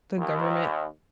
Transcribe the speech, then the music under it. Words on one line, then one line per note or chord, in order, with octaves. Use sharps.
the government
D#2